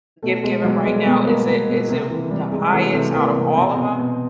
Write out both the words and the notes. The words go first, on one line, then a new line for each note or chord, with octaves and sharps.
give given right now, is it is it the highest out of all of 'em?
B2 A3
B2 G#3
B2 F#3
G3
B2 G#3
A3
B2 B3
B2 A#3
B2
B2
C3
E3
E3 G3
C3 G#3
E3 A3
C3 A3
E3 A#3
C3
B2 C4
B2
B2